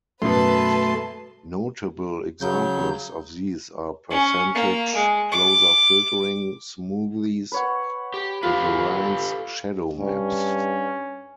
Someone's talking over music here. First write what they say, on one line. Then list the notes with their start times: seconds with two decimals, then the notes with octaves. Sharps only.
Notable examples of these are Percentage Closer Filtering, Smoothies, and Variance Shadow maps.
0.22 F#2 B2 A3 B4 A5 C6
2.41 C#3 F#3 G6
4.11 C#4
4.55 A#3
4.95 G#3
5.32 D6
7.52 B4 C#5 F#5
8.14 G4
8.43 F4 G4 A4 B4
9.99 G2 C#4